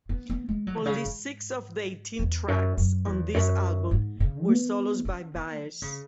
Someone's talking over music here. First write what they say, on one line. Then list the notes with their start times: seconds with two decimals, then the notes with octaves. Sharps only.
Only six of the eighteen tracks on this album were solos by Baez.
0.09 B3
0.30 B3
0.49 G#3
0.67 F#3
0.82 B2
0.86 C#3
1.05 G#2
2.19 E2
2.48 F#2
2.77 F#2
3.05 E2
3.34 F#2
3.91 G#2
4.20 C#3
4.49 B3
5.05 C#4
5.35 B3
5.62 E3
5.82 C#3